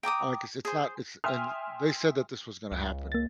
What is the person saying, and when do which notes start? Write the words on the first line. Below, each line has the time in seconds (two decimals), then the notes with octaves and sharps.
I I guess it's not it's and they said that this was gonna happen,
0.03 G5 A#5 D6 D#6
0.65 G#4 C5
1.24 E5 G5 G#5 C6 D#6 F6
2.72 C#2
3.12 A#3 A6